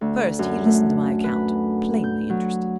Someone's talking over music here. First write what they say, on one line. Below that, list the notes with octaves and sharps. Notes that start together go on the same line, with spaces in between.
First he listened to my account, plainly interested.
D2
F#2
A3
B4
G6
F#3